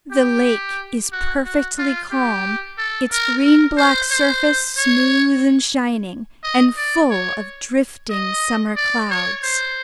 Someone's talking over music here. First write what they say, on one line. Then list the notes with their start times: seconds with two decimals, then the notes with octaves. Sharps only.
The lake is perfectly calm, its green-black surface smooth and shining, and full of drifting summer clouds.
0.12 G4
1.12 F#4
1.45 F#4
1.78 F4
2.11 G4
2.78 A4
3.12 A#4
3.44 A#4
3.78 C5
4.11 C5
4.77 C#5
6.43 D#5
6.76 D5
7.10 C#5
8.10 D#5
8.76 D5
9.10 C#5
9.43 C5